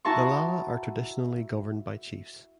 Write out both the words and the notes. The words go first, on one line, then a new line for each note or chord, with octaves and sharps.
The Lala are traditionally governed by chiefs.
E4 F#4 A5 A#5 C6 C#6